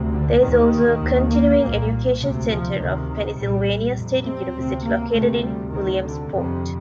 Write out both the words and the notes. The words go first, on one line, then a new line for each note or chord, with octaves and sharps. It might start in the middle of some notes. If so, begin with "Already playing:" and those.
There is also a continuing education center of Pennsylvania State University located in Williamsport.
Already playing: D2 C3
D3
D#2 D#3
D#2
A#3
C2 A#2
D2 C3
F3
D2 C3 D#3
C2 A#2 G3
F2 C3
C4
D2 C3
A#3
D2 C3 A3
G3
D2 C3 D#3
D3
F2 C3